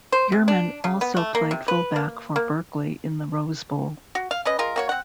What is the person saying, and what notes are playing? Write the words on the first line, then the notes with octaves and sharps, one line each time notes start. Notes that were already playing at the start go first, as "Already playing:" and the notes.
Yerman also played fullback for Berkeley in the Rose Bowl.
C5
C3
D4
C#3
B3
A3
A#3
C3
B4
A#3
A#3
F#4
F5
C#4 B4 D#5
G#3 F4 A#4
A#3 F#4 C#5
C4 F#5